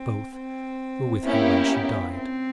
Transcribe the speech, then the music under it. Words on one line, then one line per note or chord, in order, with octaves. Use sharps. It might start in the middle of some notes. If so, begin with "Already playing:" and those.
Both were with her when she died.
Already playing: C4
C4
A#3 B3 C#4 E4 G4
B3
C4